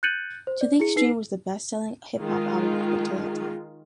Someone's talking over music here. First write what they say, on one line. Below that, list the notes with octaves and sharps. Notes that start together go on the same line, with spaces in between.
"To the Extreme" was the best selling hip hop album up until that time.
F#6 G6 A6 C#7 D#7 F#7
C5
D5
E4 G#4 C#7
D#4 B4 C7
D#3 G#3 F4